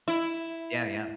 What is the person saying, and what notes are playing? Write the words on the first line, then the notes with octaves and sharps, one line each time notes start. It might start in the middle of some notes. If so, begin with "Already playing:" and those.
Yeah, yeah.
E4